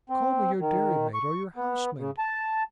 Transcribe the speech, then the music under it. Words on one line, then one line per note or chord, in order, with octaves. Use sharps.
Call me your dairymaid or your housemaid.
C4
D#3
C#6
B3
C#3
A5